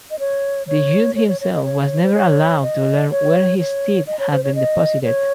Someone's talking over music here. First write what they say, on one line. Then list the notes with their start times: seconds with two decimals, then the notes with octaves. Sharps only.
The youth himself was never allowed to learn where his teeth had been deposited.
0.11 D#5
0.19 C#5
0.68 C#5
1.16 C#5
1.28 C#5
1.41 C#5
1.53 D#5
1.64 C#5
2.03 C5
2.14 C#5
2.62 D#5
3.11 C#5
3.59 C#5
4.07 D#5
4.19 C#5
4.32 C5
4.44 C#5
4.55 D#5
5.04 C#5